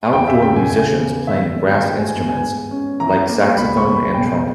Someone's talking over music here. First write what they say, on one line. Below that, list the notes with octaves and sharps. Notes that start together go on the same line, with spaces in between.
Outdoor musicians playing brass instruments like saxophone and trumpet.
E2 G5
E5
C#3 G5
G#5
C#3 G#5
B3
D#3 E5
G#1
G2 G5
G#5
B3
G#5
G#2
C#4
E3 A#5
A#3
C#2 B5
C#6
C#2
B5
B2 G5